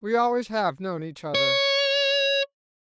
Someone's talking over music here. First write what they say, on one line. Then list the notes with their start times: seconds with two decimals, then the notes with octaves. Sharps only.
"We always have known each other."
1.35 C#5